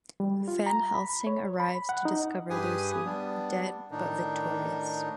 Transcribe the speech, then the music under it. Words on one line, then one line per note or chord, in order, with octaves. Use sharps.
Van Helsing arrives to discover Lucy, dead but victorious.
G3
F4
A#5
B5
C#5
B5
F#5
D#4
G2 G4 G#4 B4 G#5 D#6
G3 B3 D4
A2 D#3 D4 D#4